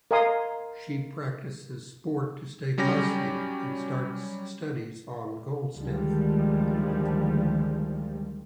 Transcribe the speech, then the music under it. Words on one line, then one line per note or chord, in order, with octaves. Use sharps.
She practices sport to stay positive, and starts studies on goldsmith.
A#4 D#5 F5 G#5 C6 D#6
F#3 G3 C#4 G4 A#6
D2 D#3 F3 G3 G#3